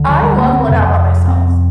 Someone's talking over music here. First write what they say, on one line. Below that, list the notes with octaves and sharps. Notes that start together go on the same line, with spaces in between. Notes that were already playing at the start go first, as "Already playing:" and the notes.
I love going out by myself.
Already playing: D2 D3
F3
G3
A#3
C4
F2 C3
C4